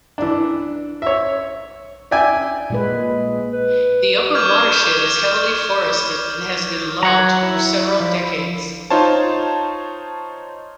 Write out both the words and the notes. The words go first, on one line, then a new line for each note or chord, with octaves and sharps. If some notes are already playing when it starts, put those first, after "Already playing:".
The upper watershed is heavily forested and has been logged for several decades.
E3 D4
C#5 E5
D5 E5 G5 G#5
A#2 G#3 B4
B4
C#6 D6 F6 G6 G#6
F#3 C#5 F#5 A#5
E4
F3
D#4 F4 C5 C#5 A5